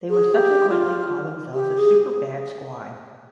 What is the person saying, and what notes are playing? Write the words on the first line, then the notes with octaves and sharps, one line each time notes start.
They would subsequently call themselves The Superbad Squad.
G#4
G4
F4
G4
G#4